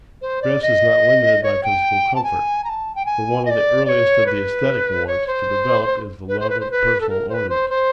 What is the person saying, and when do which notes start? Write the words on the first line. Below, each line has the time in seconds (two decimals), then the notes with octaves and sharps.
Dress is not limited by physical comfort, for one of the earliest of the esthetic wants to develop is the love of personal ornament.
0.22 C5
0.42 D5
0.62 D#5
1.43 C#5
1.63 G5
2.15 A5
2.24 G#5
2.64 A#5
2.69 A5
2.95 G5
3.05 G#5
3.45 D#5
3.50 D5
3.85 D5
3.89 C#5
4.26 B4
5.07 C#5
5.27 C5
6.28 B4
6.39 C5
6.50 B4
6.60 C5
6.71 B4
7.01 A4
7.09 A#4
7.29 C5
7.34 B4
7.49 C5
7.70 C5